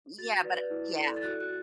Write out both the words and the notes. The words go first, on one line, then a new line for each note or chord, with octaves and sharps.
yeah but yeah.
F#4 A6
B4 D5
E4
A4 D5
A6
F#4 F#6
F#6